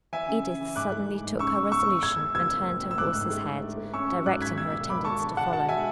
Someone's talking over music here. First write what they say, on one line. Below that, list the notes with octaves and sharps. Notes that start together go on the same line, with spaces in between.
Edith suddenly took her resolution, and turned her horse's head, directing her attendants to follow.
E3 E5 G#5
C#3
C#3
E3
G#2 D6 F#6
A3
E3
G#2
C#3 C#6 E6
E2
E2 C#6 E6
E2
G#3 E6 G#6
E2
F#1 E6 G#6
E2
A1
A1
E6
G#2 D6 F#6
G#2
A3
D3
A3
A3
C#4 C#6 E6
F#3
G#2 D6 F#6
G#1 G#6 B6
B2 E6 G#6
E1
E2 B5 D6
E1 A5 C#6
D3
D3 F#5 A5
F#4 F#5 A5
G#3 E5 G#5